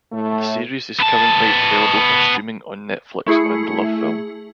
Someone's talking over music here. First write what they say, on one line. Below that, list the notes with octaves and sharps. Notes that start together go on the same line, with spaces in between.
The series is currently available for streaming on Netflix and LoveFilm.
A2 A3
B3 A5
A3 E4 G#4 C#7